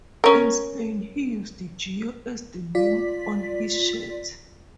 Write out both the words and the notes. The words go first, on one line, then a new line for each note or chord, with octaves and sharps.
In Spain, he used "Gio" as the name on his shirt.
C#4 A#4
F4 D5 B6